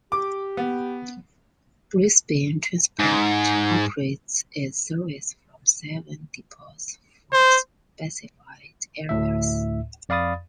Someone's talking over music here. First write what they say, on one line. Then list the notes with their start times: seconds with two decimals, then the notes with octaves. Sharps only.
Brisbane Transport operates its services from seven depots for specified areas.
0.12 G4 D6
0.57 B3
2.99 G#2
7.33 C5
9.09 D2 A2 E5
10.09 F2 D5 F5 B5 D#6 A6